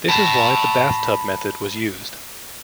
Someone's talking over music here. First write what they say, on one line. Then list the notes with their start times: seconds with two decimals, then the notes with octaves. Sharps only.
This is why the Bathtub method was used.
0.09 A5 B5